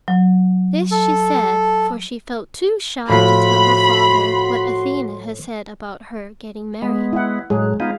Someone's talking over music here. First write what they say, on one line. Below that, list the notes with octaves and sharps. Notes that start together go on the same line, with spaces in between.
This she said, for she felt too shy to tell her father what Athene had said about her getting married.
F#3
A4
A2 F3 F#4 B5 C6
G#3 B3
E4 F#5
A2 F#3 G#3 G#4
G#3 B3 D#4 F4 F5